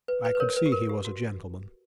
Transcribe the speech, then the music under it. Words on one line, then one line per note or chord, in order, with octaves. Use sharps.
I could see he was a gentleman.
B4
B4
B4
A#4 C#5
B4
G4
A#4
G4
F#4